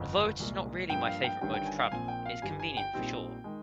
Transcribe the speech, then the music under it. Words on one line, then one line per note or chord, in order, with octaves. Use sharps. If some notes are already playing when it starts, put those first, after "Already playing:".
Although it is not really my favorite mode of traveling, it's convenient for sure.
Already playing: G1 F2 C#3
C2 A#2 G#3
G2 F3 A#3 G5
F5
G5
G1 G2 D#3 G3 C#4 G5
G5
G#5
F5
A#1 A#2 F3 C4 G#5
G5
F5
G1 G2 G3 G#5
G#5
G5
A#1 A#2 G3 C4 D#4
D#3 G#3